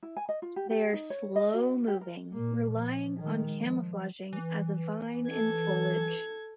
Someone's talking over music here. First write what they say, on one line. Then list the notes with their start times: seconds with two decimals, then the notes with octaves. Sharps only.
They are slow moving, relying on camouflaging as a vine in foliage.
0.03 E4
0.17 G#5
0.29 D#5
0.42 F4
0.56 G4
0.70 G4
0.93 D#4
1.10 C#5
1.36 D#5
1.54 F#4
1.88 G4
2.01 A#4
2.33 A#2 A#3
2.72 F3
3.20 D#3 G#3
3.58 F3
4.33 E3
5.28 A4 G#6